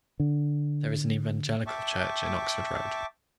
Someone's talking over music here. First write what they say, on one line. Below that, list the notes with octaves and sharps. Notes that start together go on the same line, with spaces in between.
There is an Evangelical church in Oxford Road.
D3
E5 G5 A5 C#6 D6